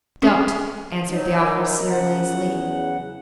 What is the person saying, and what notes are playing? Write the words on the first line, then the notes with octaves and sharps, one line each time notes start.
"Don't," answered the officer lazily.
C#4 G#4 C#5
F#3 D#4
A#4
C#3 F#5
E2